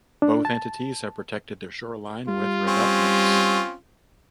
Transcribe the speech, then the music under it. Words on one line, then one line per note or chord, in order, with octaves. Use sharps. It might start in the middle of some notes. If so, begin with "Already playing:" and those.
Both entities have protected their shoreline with revetments.
D4
A5
G3 F4
C4 C#4